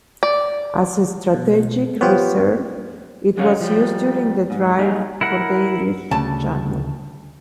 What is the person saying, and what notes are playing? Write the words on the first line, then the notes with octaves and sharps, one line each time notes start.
As a strategic reserve it was used during the drive for the English Channel.
D5
B2
F3 B3 G4 C5 C#5
F#2 D3 C#4 A#4 C#5 F5
F3 G3
G#2
G3 A#3 D#4 G#4 A#4
E4 A#4 F#5
D2 C#3 A5